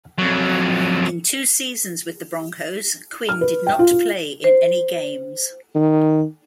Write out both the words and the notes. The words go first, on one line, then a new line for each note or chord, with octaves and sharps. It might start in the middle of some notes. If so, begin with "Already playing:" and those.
In two seasons with the Broncos, Quinn did not play in any games.
F2 F#3
F6
B4
G5
F4
F4
C5
D#3